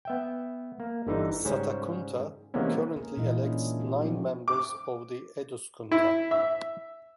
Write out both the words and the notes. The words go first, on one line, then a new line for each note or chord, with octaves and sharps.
Satakunta currently elects nine members of the "Eduskunta".
B3 E5 G5
A#3
G1 D3 E3 D#4
G#2 C#3 G3 C#4 C5
C3 E3 G#3 A#3 B3 C#4
A#3 G#4 A#4
A#2 E3 G#3 E4 F4 D#5
C#4 D4 G#4
C4 E4 F#4 G4
F3 B3 C4 D#4 F4 F#4
D6
E4
E5